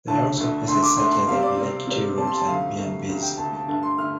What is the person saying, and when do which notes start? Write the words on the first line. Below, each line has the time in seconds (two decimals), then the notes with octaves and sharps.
There are also places such as the Village Tea rooms and B and Bs.
0.07 D2 D3 A3 A5
0.37 D2 D3 A3
0.68 D2 D3 A3 C6
0.83 D6
0.97 D2 D3 A3 C6
1.13 C6
1.28 C3 G3 C4 F5
1.43 D5
1.57 C3 G3 C4
1.87 C3 G3 C4
2.17 C3 G3 C4 A5
2.27 C6
2.38 A5
2.47 D2 C3 A3 F5
2.78 D2 C3 A3
3.08 D2 C3 A3
3.22 G5
3.37 D2 C3 A3 A5
3.53 A5
3.68 G2 D3 A3 A5
3.83 C6
3.98 D3 A3 F6